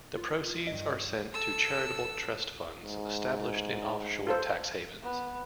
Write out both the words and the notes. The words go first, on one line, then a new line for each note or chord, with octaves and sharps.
The proceeds are sent to charitable trust funds established in off shore tax havens.
F4
G2 D#5
A4 E6
G#2
F4 A4 C5
B3